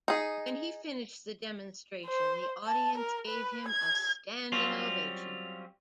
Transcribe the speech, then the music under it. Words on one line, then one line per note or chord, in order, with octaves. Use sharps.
When he finished the demonstration, the audience gave him a standing ovation.
D#4 G#4
C5
A5
A#4
B4
G#6
F#3 G3 C4 C#4 F4